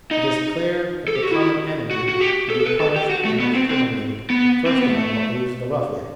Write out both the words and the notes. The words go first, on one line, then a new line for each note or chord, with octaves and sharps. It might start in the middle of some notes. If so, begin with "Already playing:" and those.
It is clear that the common enemy to be punished and exterminated first of all is the Ruffian.
D#4
A4
G4
F#4
E4
F#4
F#4
G4
A4
A4
B4
A4
G4
F#4
A3
B3
C4
C4
B3
C4
B3
A3